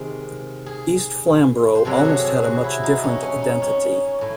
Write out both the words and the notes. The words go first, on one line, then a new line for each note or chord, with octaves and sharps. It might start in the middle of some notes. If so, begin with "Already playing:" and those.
East Flamborough almost had a much different identity.
Already playing: C3 D#3 G#3 G#4
G#4
C5
C3 F#3 A4
F#4
G#4
G#4
F#4
E4
D#4
C#4
C#4
D#4
C#4
A2